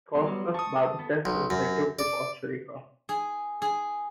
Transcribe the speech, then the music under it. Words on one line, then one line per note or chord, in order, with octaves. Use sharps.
"Costus barbatus" is native to Costa Rica.
F#3 G3 B3 C6
A5 C#6 D#6
B3 A4
B1
F#2
D5
G#4
G#4